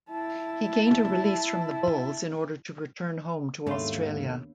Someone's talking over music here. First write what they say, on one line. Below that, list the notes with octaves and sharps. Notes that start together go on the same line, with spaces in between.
He gained a release from the Bulls in order to return home to Australia.
E4 A5
D#2 G#2 A3 B3 D4 C#5 F5 C6